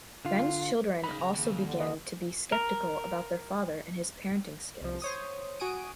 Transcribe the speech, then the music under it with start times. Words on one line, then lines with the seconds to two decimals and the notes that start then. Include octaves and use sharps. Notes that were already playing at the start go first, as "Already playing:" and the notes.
Ben’s children also began to be skeptical about their father and his parenting skills.
0.25 D3 F4
1.04 C#3 D#4 A#4 B5
1.18 F#2 A#5
1.33 D#2 C#3
1.66 D3
1.81 D#5
2.52 A#4
4.81 C2 F3
5.02 C5 C#5 D#6
5.60 F#4 G#5 D#6 D7 D#7